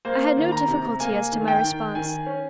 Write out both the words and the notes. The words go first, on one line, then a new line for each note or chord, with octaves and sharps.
I had no difficulty as to my response.
A#3 C5
D#3
A#5
C3
A#3 G#5
D#3
G5
D#3
D#3 G#5
C#4